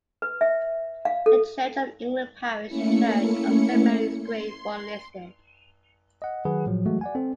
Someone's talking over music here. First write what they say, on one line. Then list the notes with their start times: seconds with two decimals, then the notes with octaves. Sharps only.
The Church of England parish church of Saint Mary is Grade One listed.
0.22 B4
0.41 E5
1.05 F5
1.26 A4
2.67 A3 A#3 C#4 E4 C#7
4.22 C6
6.22 D#5 F#5
6.45 D#3 F#3 G#4 B4 F#5
6.66 A2 F3 F#3
6.86 E3 F#3 G#3 A3 F#4
7.01 D5 F#5 G#5
7.15 C4 A4